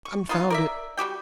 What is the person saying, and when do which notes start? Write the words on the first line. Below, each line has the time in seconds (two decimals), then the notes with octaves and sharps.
Confound it!
0.05 C#6
0.29 F#3 B3 D#4 F4
0.50 A#4 D5 E5
0.97 G3 F#4 G4 G5